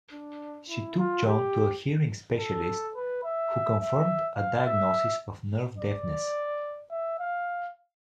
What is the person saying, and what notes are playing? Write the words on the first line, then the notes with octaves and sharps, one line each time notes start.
She took John to a hearing specialist, who confirmed a diagnosis of nerve deafness.
D4
E4
F4
G4
A4
B4
E5
E5
F5
E5
D5
E5
F5